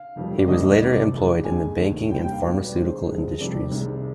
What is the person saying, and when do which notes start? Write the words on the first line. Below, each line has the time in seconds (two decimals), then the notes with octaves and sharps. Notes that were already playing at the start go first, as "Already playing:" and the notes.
He was later employed in the banking and pharmaceutical industries.
Already playing: F5
0.16 F1 F2 D#3 G3
0.38 D5
0.48 F1 D#2 D#3 G3 D#5
0.81 C2 C3 D#3 D5
1.13 F2 D#3 G#3
1.45 D#2 D3 G#3 G#5
1.78 F1 D#2 D#3
2.10 F1 D#2 D#3 G3 G5
2.21 G5
2.31 F5
2.43 B1 B2 G3
2.54 D5
2.64 B4
2.75 D2 D3 G#3 C5
3.07 C2 C3 F3 G#3
3.40 F1 F2 C3 D#3 G3 D5
3.71 C2 C3 D#3 G#3